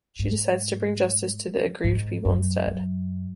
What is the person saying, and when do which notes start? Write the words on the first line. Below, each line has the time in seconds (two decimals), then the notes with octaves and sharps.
She decides to bring justice to the aggrieved people instead.
0.19 G#2
1.84 G#2
2.25 F#2
2.67 F#2